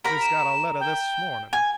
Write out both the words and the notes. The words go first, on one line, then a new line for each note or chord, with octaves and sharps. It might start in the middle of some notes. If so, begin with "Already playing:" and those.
'Just got a letter this morning.'
A#4 A#5 B5
E7
G5
G#5